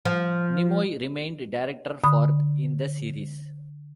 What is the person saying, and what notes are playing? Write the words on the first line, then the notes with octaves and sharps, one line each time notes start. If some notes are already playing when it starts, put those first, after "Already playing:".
Nimoy remained director for in the series.
F3
D3 B5 D#6